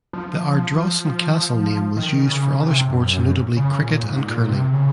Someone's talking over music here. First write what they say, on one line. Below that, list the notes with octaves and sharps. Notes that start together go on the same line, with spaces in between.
The Ardrossan Castle name was used for other sports notably cricket and curling.
F3
D#3
C#3
C#3
C3
F#2
F#2
C#3
A#2
G#2
A#2
C3
C#3